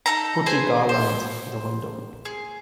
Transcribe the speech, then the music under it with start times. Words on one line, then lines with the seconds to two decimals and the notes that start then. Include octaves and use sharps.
Putti garland the window.
0.06 D#4 A4 A#5
0.46 G#4 B4 C5 G#5
0.89 C5
2.25 G#4